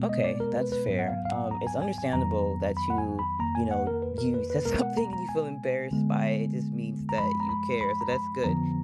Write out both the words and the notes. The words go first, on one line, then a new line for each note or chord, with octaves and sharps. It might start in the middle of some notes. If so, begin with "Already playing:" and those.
Okay, that's fair. Um, it's understandable that you, you know, you said something and you feel embarrassed by it, it just means that you care, so that's good.
Already playing: B2 G#3 B3
D#5
D5
A#4
B4
B4
G#2 F#3 B3
F#5
F5
F5
F#5
A#5
G#5
G#5
G#5
F2 D#3 F#3 B3 A#5
B5
F#5
G#5
B5
F2 D#3 A#3 A#5
G#5
F#5
A#4
B4
A#4
B4
B4
B2 G#3 B3 A#4
F#5
A#5
A#5
G#5
D3 G#3 B3
A#5
F#2 F3 G#3 B5
A#5
B5
B5
A#5
B5
F2 D3 F3 B3 A#5